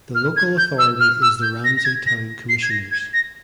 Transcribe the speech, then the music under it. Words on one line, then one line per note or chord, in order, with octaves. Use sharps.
The local authority is the Ramsey Town Commissioners.
F6
G#6
G6
E6
F6
E6
G6
A#6
A#6
G#6
A#6
C7
G#6
A#6
G#6
A#6